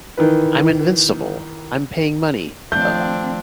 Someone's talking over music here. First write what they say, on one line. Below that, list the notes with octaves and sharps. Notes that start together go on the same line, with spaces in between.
I'm invincible, I'm paying money... uh...
D#3 E3 B4
D#3 F3 A3 C4 D4 G6